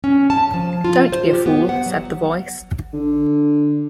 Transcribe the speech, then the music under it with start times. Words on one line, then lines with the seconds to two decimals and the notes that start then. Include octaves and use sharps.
"Don't be a fool," said the Voice.
0.04 C#4
0.30 A5
0.54 F3
0.84 F4
1.12 C5
1.33 G4
1.46 B3
1.69 F#5
1.86 F#3
2.93 D3